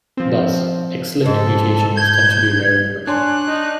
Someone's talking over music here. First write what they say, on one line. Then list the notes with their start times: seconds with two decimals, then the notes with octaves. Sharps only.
Thus, X-linked mutations tend to be rare in women.
0.17 F3 C4
1.26 G#2 A4
1.97 G6 G#6
3.07 D4 C#5 G#5 C6 F#6
3.48 D#4